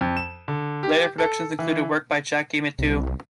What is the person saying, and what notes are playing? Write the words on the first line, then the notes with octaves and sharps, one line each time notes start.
Later productions included work by Jackie Mittoo.
F2
E7
D3
G4
A4
E3
C2